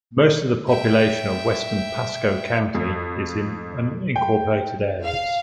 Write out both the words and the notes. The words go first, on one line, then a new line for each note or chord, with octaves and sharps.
Most of the population of western Pasco County is in unincorporated areas.
E5 G5
F2
G5
F5